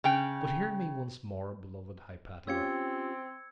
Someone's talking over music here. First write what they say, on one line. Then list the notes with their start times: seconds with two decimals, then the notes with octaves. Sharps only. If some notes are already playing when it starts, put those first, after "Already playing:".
But hear me once more, beloved Hypatia.
0.04 C#3 G5
2.47 C4 C#4 F4 G4 E6 G#6 C#7